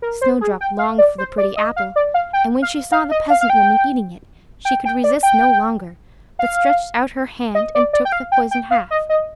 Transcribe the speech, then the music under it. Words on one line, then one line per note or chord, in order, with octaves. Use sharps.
Snowdrop longed for the pretty apple; and when she saw the peasant-woman eating it, she could resist no longer, but stretched out her hand and took the poisoned half.
A#4
C5
G#4
G5
F5
D5
C5
D5
D#5
F5
D5
F5
G5
F5
F5
D#5
F5
F5
G5
G5
G5
D5
G5
F5
D#5
D5
D5
G5
F5
G5
G5
F5
D#5
D#5